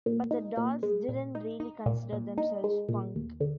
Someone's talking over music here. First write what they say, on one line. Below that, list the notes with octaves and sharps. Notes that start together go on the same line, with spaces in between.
But the Dolls didn't really consider themselves punk.
A#2
D#4
A#2
G#3
A#2
D#4
D#4
A#2
A#2
D#4
G#3
A#2
D#2
D3